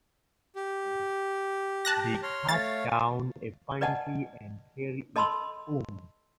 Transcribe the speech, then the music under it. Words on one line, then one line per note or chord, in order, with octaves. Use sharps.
They cut down a fine tree and carry it home.
G4
A5 F#6 A#6
C#5 C6 F6
A3 C#5 F5 A6
B4 D5 D#5 F#5 G#5 A5
A4 D#5 A5 B5 C6 E6